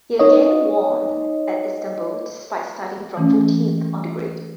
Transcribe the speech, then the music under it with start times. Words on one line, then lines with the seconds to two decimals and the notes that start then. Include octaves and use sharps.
He again won at Istanbul, despite starting from fourteenth on the grid.
0.19 D#4 C#5 D#5
3.17 E3 A3 C#4